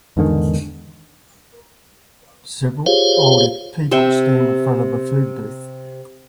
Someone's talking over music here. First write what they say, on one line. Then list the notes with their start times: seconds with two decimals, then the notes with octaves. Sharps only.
Several older people stand in front of a food booth.
0.17 E2 G#2 D3 D#3
2.86 F4 G4 G#4 C5 C#5 F5
3.91 C3 C5 E5 G5